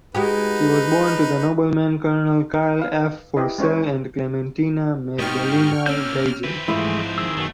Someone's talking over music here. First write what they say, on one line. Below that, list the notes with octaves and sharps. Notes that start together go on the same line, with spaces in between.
She was born to the nobleman colonel Carl af Forsell and Clementina Magdalena Geijer.
G#3 D#4 F#4 G4 B4
B4 F5
E4 G4 B4 D#5
G#3 C#4 C5 C#5
G#2 B3 D#4 G4 D#5 G5 C#6 F6
G3 A#3 C#4 E6 F6 G6
E3 C4 B4
G#2 E3 F3 G#3 A3 E4
D#3 G#4 E6
F#2 B2 A3